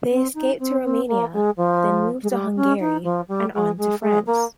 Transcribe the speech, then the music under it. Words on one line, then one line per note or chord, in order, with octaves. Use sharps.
They escaped to Romania, then moved to Hungary, and on to France.
C4
D#4
C4
C4
A#3
G#3
F3
G#3
G3
C#4
D#4
F3
G3
G#3
G#3
G#3
A#3